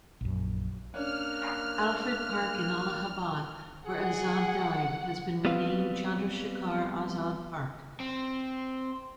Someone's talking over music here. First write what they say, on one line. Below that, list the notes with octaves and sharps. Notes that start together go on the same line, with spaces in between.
Alfred Park in Allahabad, where Azad died, has been renamed Chandrashekhar Azad Park.
A#1 F#2
A#3 C#4 D4 F6 F#6
G#4 F#5
G3 B3 C4 B4 F5
C4